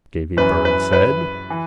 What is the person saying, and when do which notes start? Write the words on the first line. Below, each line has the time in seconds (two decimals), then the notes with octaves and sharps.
Davy Byrne said...
0.37 F#2 E3 B4
0.65 B4
0.93 B4
1.50 E3